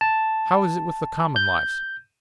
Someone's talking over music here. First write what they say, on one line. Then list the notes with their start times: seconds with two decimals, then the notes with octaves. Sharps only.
How is it with the common lives?
0.01 A5
1.36 G6